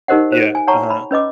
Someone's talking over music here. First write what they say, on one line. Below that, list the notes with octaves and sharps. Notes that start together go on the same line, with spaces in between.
Yeah, uh-huh.
D#4 G4 A#4 C5 D#5 F#5
C5
G#5
C#5 F#5 A5 A#5 C#6
B5
C#4 B4 D#5 D6